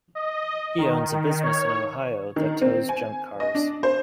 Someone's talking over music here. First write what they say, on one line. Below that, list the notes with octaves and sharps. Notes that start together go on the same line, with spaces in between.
He owns a business in Ohio that tows junk cars.
D#5
D#3
C#5
D#3
C4
G#5
D#5
D4
C5